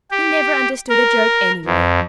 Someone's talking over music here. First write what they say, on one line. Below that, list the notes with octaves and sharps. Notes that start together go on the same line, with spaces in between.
He never understood a joke anyway.
G4
A#4
F2